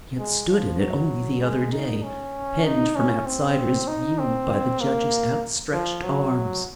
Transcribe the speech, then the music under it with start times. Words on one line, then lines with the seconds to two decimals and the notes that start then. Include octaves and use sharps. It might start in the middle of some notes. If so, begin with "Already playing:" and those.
She had stood in it only the other day, penned from outsiders' view by the judge's outstretched arms.
0.18 G#3
0.49 F3
0.80 F#3
1.41 G#3
1.72 D#4
2.03 C#4
2.65 D#4
2.96 C#4
3.26 C4
3.88 D#4
4.19 C4
4.81 A#3
5.73 F3
6.04 F#3